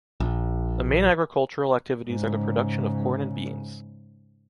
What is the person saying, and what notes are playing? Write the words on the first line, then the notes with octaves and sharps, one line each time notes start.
The main agricultural activities are the production of corn and beans.
A#1
G#2 C#3